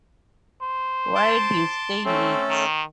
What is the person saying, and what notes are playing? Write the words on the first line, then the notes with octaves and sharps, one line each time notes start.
Why'd you stay late?
C5
A5 C6 D6
A3 C4 C#4 A4
D#3